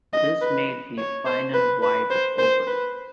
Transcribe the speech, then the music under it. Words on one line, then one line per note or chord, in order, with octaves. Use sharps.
This made the final wide open.
D#5
B4
C#5
C5
B4
B4
C5
C5
B4